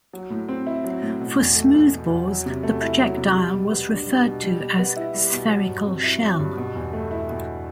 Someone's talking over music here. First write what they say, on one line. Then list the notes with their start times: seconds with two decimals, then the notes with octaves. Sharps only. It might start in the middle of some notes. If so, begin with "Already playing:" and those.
For smoothbores, the projectile was referred to as "spherical shell".
0.13 F#3
0.30 A2
0.49 C4
0.67 E4
0.84 F#3
1.02 A2
1.21 B2
1.39 E2
1.56 A3
1.74 E2
1.92 B2
2.10 E2
2.28 F#3
2.46 C3
2.63 A3
2.81 E4
2.99 F#3
3.17 C3
3.35 G3
3.53 B2
3.71 B3
3.89 D4
4.07 G3
4.25 B2
4.43 G3
4.60 B2
4.79 B3
4.96 E4
5.15 G3
5.32 B2
5.50 F#3
5.68 G2
5.86 C4
6.04 E4
6.22 F#3
6.39 G2
6.57 B2
6.75 E2
6.93 A3
7.11 E4
7.30 B2